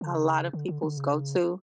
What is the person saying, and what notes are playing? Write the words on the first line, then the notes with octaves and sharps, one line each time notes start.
a lot of people's go-to.
D3
C#3
D3
D3
D3
C#3